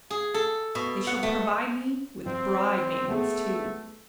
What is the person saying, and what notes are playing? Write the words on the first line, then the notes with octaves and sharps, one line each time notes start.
They shall provide me with bride-maidens too.
G#4
A4
B2
F#5
A3
F3 C4
A3 B3 G#4